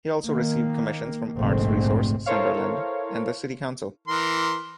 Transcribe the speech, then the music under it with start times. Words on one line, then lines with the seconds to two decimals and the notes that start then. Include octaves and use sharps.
He also received commissions from Arts Resource, Sunderland, and the City Council.
0.24 D#3 A#3
1.36 F1 A#1 G#2 D3 A3 C4
2.26 E4 A4 A#4 C5 C#5 F5
4.08 E3 A#4 C6